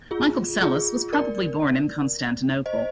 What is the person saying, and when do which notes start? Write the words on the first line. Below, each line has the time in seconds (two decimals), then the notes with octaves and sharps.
Michael Psellos was probably born in Constantinople.
0.11 F4 G#4
0.62 F4 G#4
1.13 A#4 D5
2.66 C5 D#5